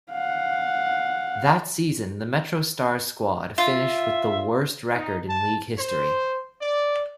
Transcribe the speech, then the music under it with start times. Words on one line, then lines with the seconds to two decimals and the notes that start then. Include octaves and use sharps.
That season the MetroStars squad finished with the worst record in league history.
0.12 F5 F#5
3.58 F4 E5
4.94 D#4
5.28 A5
5.78 C5
6.62 D5